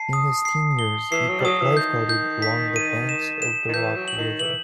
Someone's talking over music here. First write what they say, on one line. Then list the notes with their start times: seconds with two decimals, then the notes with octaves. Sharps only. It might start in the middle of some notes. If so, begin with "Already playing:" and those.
In his teen years, he lifeguarded along the banks of the Rock River.
Already playing: A5 C7
0.13 D#6
0.45 C7
0.79 G7
1.11 E3 C7
1.28 F#3
1.40 G3
1.45 F#3 D#6
1.61 E3
1.77 D#3 G6
2.09 G6
2.42 B6
2.76 D#7
3.09 E7
3.42 E7
3.68 D#3
3.74 E3 G6
3.96 F#3
4.08 F#7
4.18 D#3
4.39 E3 F#7